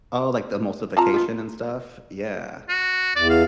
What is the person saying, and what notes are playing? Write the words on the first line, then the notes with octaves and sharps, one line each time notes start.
Oh, like the emulsification and stuff, yeah.
C4 F4 A5 A#5
B3 D#4
F#4
E2 D5
F5